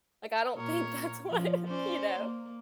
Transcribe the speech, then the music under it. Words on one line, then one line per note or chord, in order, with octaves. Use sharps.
Like, I don't think that's what you know?
A#2 A#4 C#5
F3
C#4 C5 D5
A#3